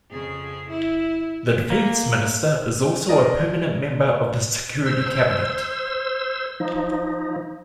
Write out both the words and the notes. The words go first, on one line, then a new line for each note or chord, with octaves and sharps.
The Defense Minister is also a permanent member of the Security Cabinet.
F2 C#3 G#4
E4
A#3
D4 A#4 D5 D#5
C5 E6
F3 D#4